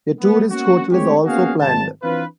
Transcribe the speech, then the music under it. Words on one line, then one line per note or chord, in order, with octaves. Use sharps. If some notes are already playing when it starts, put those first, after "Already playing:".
A tourist hotel is also planned.
A#3 B3
A#3 B3 C#4 F#4
G#3 A3 C4 G4 C#5
A#3 B3 C#4 F#4 G#4 F5
G#1 A5
E3 C4 D4 F4 B4